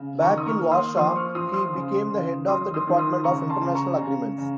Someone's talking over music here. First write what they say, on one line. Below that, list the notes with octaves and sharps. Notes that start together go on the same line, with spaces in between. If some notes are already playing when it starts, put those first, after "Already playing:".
Back in Warsaw, he became the head of the department of international agreements.
Already playing: C#3
D#3 A#5 C#6
D#6
C#6 F6
A#3
C6 D#6
F3 C6 D#6
C#6 F6
F3 C6 D#6
C6 D#6
C#3
C#3
F#3 C6 D#6
C6 D#6
D#3
C6 D#6
C#3 A#5 C#6
A5 C6
C#3
A#5 C#6
C#3
C#3